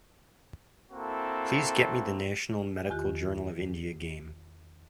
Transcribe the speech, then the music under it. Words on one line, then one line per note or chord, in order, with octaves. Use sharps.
Please get me The National Medical Journal of India game.
A#3 C4 E4 F#4 A4
E2 D#3 F4 G4 F#6